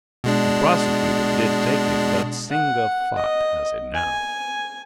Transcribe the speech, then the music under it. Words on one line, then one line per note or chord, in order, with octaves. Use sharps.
"The prosecutor did take it, but Singa Phut has it now."
B2 G#3 D4
F#5
D#5
G#5